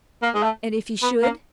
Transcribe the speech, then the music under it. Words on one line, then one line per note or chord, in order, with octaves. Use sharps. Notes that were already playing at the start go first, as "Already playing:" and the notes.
"And if he should?"
A#3
G#3
A3
B3
A#3